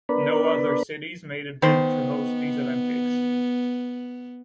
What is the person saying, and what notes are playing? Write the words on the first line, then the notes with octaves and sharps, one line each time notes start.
No other cities made a bid to host these Olympics.
B3 D4 A#4 B4 D5 B5
D#3 B3 C5